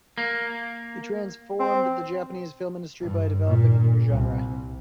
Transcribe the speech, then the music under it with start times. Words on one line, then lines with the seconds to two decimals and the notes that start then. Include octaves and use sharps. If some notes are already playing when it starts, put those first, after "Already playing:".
He transformed the Japanese film industry by developing a new genre.
0.18 A#3
1.60 C4
3.01 G2
3.46 A#2
4.08 C2